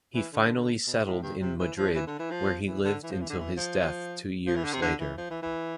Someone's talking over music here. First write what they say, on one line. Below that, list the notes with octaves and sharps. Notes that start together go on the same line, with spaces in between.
He finally settled in Madrid, where he lived until his death two years later.
E3
D3
B2
A2
G2
C3
E3
F3
E3
D3
E3
F3
E3
D3
E3
F3
E3
D3
E3
F3
F3
E3
D3
C3
D3
E3
F3
E3
E3